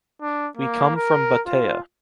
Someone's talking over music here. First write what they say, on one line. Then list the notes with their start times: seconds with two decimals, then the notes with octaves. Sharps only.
We come from Batea.
0.22 D4
0.57 A#3
0.95 A#4
1.47 F4